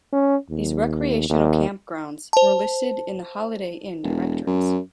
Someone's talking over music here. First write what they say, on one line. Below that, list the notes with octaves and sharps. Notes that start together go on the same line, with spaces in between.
These recreational campgrounds were listed in the Holiday Inn directories.
C#4
D#2
D#2
C5 A5
E1
F#2